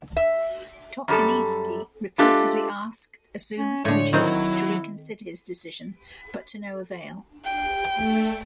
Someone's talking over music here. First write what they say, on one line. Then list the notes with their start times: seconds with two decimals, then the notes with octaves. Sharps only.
Tochinishiki reportedly asked Azumafuji to reconsider his decision, but to no avail.
0.17 E5
1.08 F#2 G3 A4
2.18 G#3 A3 D4 F4 G4 A4
3.58 C#4
3.85 A2 D3 G#3 C#5
4.13 D#3 F#3 C4 E4
7.45 G5
7.95 A3